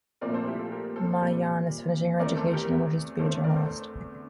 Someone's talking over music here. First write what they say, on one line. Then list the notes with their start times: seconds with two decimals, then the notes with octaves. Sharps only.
Ma Yan is finishing her education and wishes to be a journalist.
0.21 A#2 F3 A3 C4 A#4 D5
0.34 A4 C5
0.46 E4 G4
0.59 F4 A4
0.71 G4 A#4
0.96 A4 C5
1.20 A#2 G3 C4
2.19 E2 E3 A3 C4 A#4 D5
2.36 A4 C5
2.53 G4 A#4
3.19 E2 D3 A3 C4 A4 C5
3.44 A#4 D5
3.56 A4 C5